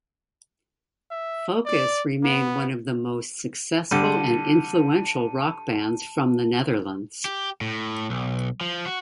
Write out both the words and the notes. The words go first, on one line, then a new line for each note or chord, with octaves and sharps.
Focus remain one of the most successful and influential rock bands from the Netherlands.
E5
D5
B3
D3 G3 A5 C#7 D#7
G4
A2
B1
F3
F#4